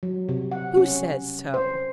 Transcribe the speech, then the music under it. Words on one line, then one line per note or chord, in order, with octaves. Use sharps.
"Who says so?"
F#3
C3
F#5
C#4
C5